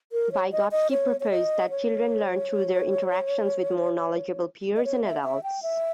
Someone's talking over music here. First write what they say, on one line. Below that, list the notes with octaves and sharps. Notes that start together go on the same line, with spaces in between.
Vygotsky proposed that children learn through their interactions with more knowledgeable peers and adults.
A#4
C#5
D#5
D#5
C#5
C#5
D#5
C#5
D#5
C#5
E5
E5
G5
E5